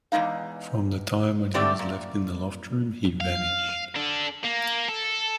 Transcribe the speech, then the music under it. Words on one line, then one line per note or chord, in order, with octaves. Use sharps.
From the time when he was left in the loft-room, he vanished.
E2 G#2 G#3 D#4 F5
D3 A3 C4 G4 D5
A#2
F5
D4 A4
A#3
A4